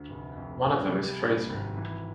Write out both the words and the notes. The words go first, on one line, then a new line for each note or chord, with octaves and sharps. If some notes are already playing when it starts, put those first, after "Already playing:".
One of them is Fraser.
Already playing: D2
F1
F2
F1
G3
G2
G#1
E3